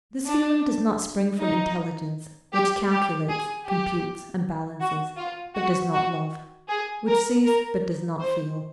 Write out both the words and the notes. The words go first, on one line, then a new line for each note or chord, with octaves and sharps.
This feeling does not spring from intelligence, which calculates, computes, and balances, but does not love; which sees, but does not feel.
D4
D#4
G4
G4
G#4
G4
F#4
F4
F#4
F#4
G#4
A#4
A#4
C5